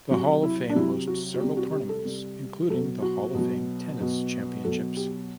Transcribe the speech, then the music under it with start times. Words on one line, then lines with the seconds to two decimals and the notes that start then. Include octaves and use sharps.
The Hall of Fame hosts several tournaments, including the Hall of Fame Tennis Championships.
0.11 C3 F#3 F#4
0.43 E4
0.70 D4
0.75 C3 F#3 E4
1.07 F#4
1.34 F#4
1.40 G3 G4
1.44 C3
1.57 F#4
1.72 G4
1.89 A4
2.05 C3 G3
2.70 B2 F#3 A4
3.02 F#4
3.35 B2 F#3
4.00 B2 F#3
4.65 B2 F#3 A4
4.97 G4